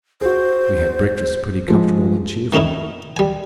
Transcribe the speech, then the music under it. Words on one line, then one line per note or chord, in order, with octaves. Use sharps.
We had breakfast pretty comfortable and cheerful.
F#4 G#4 C5
F3 G#3
D#3 A3 C#4 D#4 E4
G3 G#5